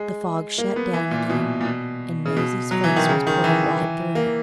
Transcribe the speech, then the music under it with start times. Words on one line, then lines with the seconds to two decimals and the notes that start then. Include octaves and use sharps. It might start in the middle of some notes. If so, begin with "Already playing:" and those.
The fog shut down again, and Maisie's face was pearl-white through it.
Already playing: G#3
0.58 A#3
0.76 B3
0.94 E3
1.11 A#2
1.30 B2
1.61 A#2
1.65 B2
2.26 C#3
2.37 B2
2.71 F#3
2.84 E3
2.96 D#3
3.09 C#3
3.27 D#3
3.44 E3
4.15 A#3